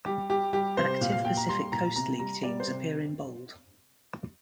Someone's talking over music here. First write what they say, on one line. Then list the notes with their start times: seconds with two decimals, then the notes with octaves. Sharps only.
Active Pacific Coast League teams appear in bold.
0.06 G3 G4
0.30 G3 G4
0.53 G3 G4
0.77 C3 C5
1.01 A#2 F5
1.12 F5
1.24 A#2 G5
1.37 A#5
1.48 G3 C6
1.72 A#2 A#5
1.96 C3 A#5
2.19 G3 A#5
2.43 G3 D5
2.60 C5
2.67 C3